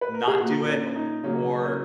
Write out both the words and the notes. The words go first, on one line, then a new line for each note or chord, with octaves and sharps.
not do it o or
B4
A#4
G#4
A#2 A#3 F#4
C#4
D#4
C#3 F#3 A#3 C#4
C#4